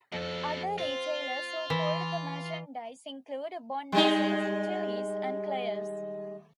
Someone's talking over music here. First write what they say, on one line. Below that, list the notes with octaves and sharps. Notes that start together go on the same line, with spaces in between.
Other retailers who pulled the merchandise included Bon-Macy's, Tilly's, and Claire's.
F2 B2 A4
C4 F4
E3
G3 G#3 D#4